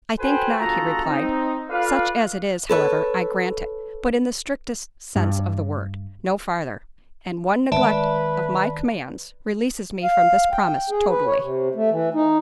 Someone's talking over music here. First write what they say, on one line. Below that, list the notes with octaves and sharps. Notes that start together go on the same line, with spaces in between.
"I think not," he replied: "such as it is, however, I grant it: but in the strictest sense of the word--no farther--and one neglect of my commands, releases me from this promise totally."
F#4 A4 B4 C5 G5 G#5
G1 F4 F#4 G#4 A4 A#5
C4 D#4
F4 A4 B4 D5 F5
A4 B4 C#5
G2
D#3 G#3 B4 D5 E5 A5
F5
G5
G#4
B4
C#5
C3
A3
E3
D#4